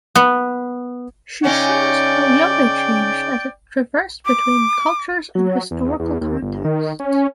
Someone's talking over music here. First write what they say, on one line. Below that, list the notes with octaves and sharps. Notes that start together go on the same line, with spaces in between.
She shows how yoga changed as it traversed between cultures and historical contexts.
B3
C#3 C#4 D#4 D5 G5
D6
F#3
E2
E2
D#2
G1
D#3
C#4